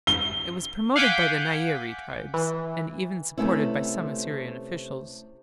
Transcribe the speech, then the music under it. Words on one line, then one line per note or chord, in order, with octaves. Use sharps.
It was promoted by the Nairi tribes, and even supported by some Assyrian officials.
G7
F5 F#5 G#5 D6 G6 B6
E3
C3 A3 B3 C#4 E4